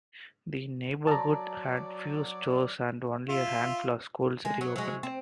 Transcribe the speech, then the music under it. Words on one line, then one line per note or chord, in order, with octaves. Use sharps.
The neighborhood had few stores and only a handful of schools reopened.
F#3 D5 A5 A#5
F4 E5
G#3
F#3
F#3 G#3
C4